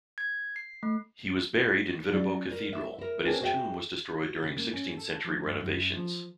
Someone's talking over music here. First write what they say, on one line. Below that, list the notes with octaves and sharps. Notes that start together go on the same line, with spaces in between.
He was buried in Viterbo Cathedral, but his tomb was destroyed during sixteenth-century renovations.
G#6
C7
A3
F#3 C#4 D5
A#4
E5
E4 A#4
C4 D4 F4 G#4 A#4 B4
F#4 G#4 C5 D#5 E5 G5
F#4
C#3
A#3
C#4
A4
F3
G2
F#2
F3